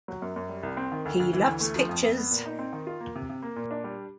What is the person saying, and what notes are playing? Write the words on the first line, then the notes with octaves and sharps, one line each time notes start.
He loves pictures!
F#3
F#2
F#2
G3
C2
C4
D#3
D2
D2
E3
D2
A3
F3
F2
F2
B3
A#2
D#4
C4
D#3
F4
A#3
C3
C3
A#3
A#2
D4
G3